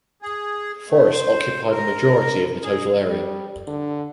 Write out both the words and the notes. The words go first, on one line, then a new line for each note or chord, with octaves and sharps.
Forests occupy the majority of the total area.
G#4
A3
C5
A#4
G#4
G3
D3